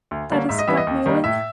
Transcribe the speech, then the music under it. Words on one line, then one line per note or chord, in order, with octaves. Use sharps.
That is blackmailing.
D2
D3 G3 A#3 C#4
G#2 E5
D#5
E3 G3 B3 E5
D#5
D#2
D#3 G3 A#3
A2 E5